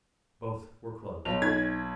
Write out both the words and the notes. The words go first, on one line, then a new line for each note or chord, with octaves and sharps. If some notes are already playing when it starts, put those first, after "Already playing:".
Both were closed.
B1 F7
D#4 G#6